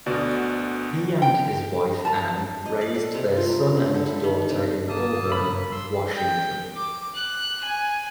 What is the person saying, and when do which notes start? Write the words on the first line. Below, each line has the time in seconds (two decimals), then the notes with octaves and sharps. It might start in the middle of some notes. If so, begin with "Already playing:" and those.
He and his wife Ann raised their son and daughter in Auburn, Washington.
0.06 D2 B2 F#4 D5
1.22 G5
2.05 A5 A#5
2.66 D#5
2.81 D5
2.94 A4
3.15 C3
3.37 F4
3.50 A#4
3.77 D3
3.94 A4
4.06 B5
4.24 D#3
4.49 C3
4.89 G1 A#3 A5 D#6
5.32 F#1 G2 B2 B5
5.72 G2 C6 E6
6.15 G5
6.75 D6
7.15 F#6
7.63 G#5